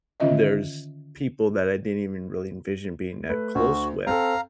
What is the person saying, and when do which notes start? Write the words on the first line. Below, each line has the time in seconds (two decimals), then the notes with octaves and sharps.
there's people that I didn't even really envision being that close with
0.20 D3 D#3 C#4 F4 D#5 E5
3.29 A3 B4
3.55 D2 F#4
4.07 C4 A4 F5 A#5